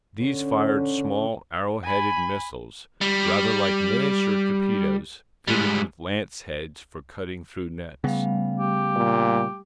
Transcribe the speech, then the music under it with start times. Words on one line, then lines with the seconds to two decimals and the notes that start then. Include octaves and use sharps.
These fired small arrow-headed missiles, rather like miniature torpedoes fitted with lance-heads for cutting through nets.
0.22 D3 C#4
1.83 G#5 B5
3.01 G3
5.48 G#2 G3
8.04 C#3 G3 A3 B3 F5
8.59 G4
8.96 A#2